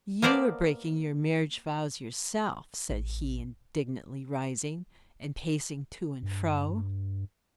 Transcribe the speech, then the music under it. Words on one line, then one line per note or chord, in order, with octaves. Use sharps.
'You are breaking your marriage vows yourself,' said he, indignantly rising and pacing to and fro.
A#3 B3 A#4 C5 D5 A5
A1
G2